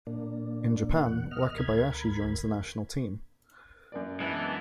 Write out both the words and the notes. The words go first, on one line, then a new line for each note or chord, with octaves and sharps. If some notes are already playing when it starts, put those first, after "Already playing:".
In Japan, Wakabayashi joins the national team.
A#2 A#3 D4
E2 B2 F#5
D#5 F6
D2 A#4 B5 G#6
F#2 A#3 D5
E3 G#3 B3 D4